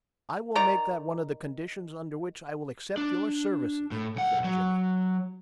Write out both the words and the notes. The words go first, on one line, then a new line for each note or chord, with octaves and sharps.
"I will make that one of the conditions under which I will accept your services," said Jimmy.
D#3 D5 A#5
D4
A2
B1 F#5
F#3